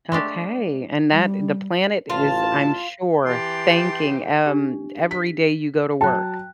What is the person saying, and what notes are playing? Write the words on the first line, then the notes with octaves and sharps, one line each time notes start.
Okay, and that the planet is, I'm sure, thanking, um, every day you go to work.
G#3 A3 D4 G4
G3
A1 F4 A5
E3 G4 G5 A5 C6
D4 G4
B6
F#3 G5 A5 F#6